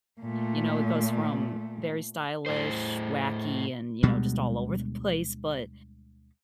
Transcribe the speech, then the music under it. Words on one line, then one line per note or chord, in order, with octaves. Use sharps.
you know, it goes from very stylish, wacky, and, you know, just all over the place, but
A#2 A3
A2 C5
D2 B2 G3 G#3